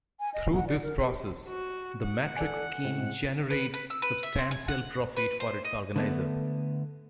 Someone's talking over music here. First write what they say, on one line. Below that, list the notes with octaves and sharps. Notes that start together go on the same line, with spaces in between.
Through this process, the matrix scheme generates substantial profit for its organiser.
G#5
D#5
F#5
D5
A#4
G4
F#4
F#5
A4 D5 G#5
A2 G#3 C4
B4
B4
E6
B4
E5
C4
G#5
F#5
B4
C5
D#5
D3 A3 B3